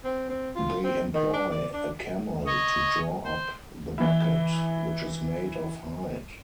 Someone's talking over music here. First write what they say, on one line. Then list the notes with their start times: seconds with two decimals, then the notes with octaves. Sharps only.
They employ a camel to draw up the bucket, which is made of hide.
0.04 C4
0.29 C4
0.56 F4
0.84 C4
1.14 D#3
1.33 D4
1.51 D5
1.73 D4
2.46 C#5 D#5
3.25 C5
3.98 E3 E4